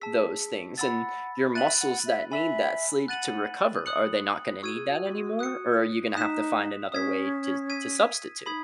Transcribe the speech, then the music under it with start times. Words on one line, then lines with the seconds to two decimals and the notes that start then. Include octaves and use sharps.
those things, and your muscles that need that sleep to recover, are they not gonna need that anymore, or are you gonna have to find another way to to substitute?
0.01 G#4 A5 E6 B6
0.78 F#5 B5 E6 A6
1.55 E5 F#6 A6 D#7 F#7
1.80 F#5
2.06 E5
2.31 E5 G#5 B5 E6 B6 F#7
3.08 F#5 F#6 A6 D#7 F#7
3.86 D#6 F#6 C#7 F#7
4.62 F#4 C#6 E6 G#6 D#7
4.75 G#4
4.88 F#4
5.39 D#6 F#6 C#7
6.15 D#4 D#6 F#6 B6 E7
6.92 C#4 D#6 G#6 B6
7.70 E6 G#6 B6 D#7
8.46 D#4 B5 D#6 G#6 B6 F#7